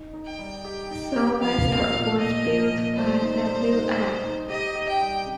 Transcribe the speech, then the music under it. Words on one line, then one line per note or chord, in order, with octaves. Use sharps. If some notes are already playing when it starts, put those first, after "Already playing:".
"Salvestor" was built by Wm.
Already playing: D#4
D#4
G5
G3
G4
D#4
G4
F3 F5
A#3
A#2
A#2 D#5
F3
A#2
G3 C5
D#4
G3
D#4
G3
D#4
G4 D#5
G4
G5
G3